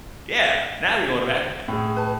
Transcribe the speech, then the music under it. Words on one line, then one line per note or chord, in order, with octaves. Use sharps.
Yeah, now you're going back a minute.
A2 G#4
B4 A5